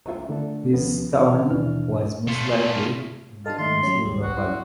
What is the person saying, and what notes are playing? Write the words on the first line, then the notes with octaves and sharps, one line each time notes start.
His town was most likely in the Tennessee River Valley.
F4 E5
D3 A3 D4 A4
D#2 F3 B3 C#4
E3 F6
D#2 B2 E3 D4 F6
A3 F4
D4 F4 A4 D#5 A5
D#3 A3 D#4 D#5 E5 C6
F#3 C#4 C#5
D#2 G3
C2 F#4
E4 C6